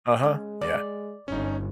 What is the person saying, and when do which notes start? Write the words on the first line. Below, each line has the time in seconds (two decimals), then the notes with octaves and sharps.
Uh-huh. Yeah.
0.23 C#3 G#3
0.61 D5
1.28 G1 C#4 D#4